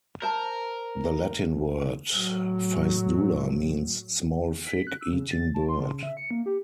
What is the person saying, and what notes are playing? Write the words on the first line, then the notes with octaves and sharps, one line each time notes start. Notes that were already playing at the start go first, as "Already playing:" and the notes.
The Latin word "ficedula" means "small fig-eating bird".
A#4 C5 A5
A2 F#3
B6
F#6
E6
C#3
A6
A5
C6
C#3
E5
C#7
A#3
G4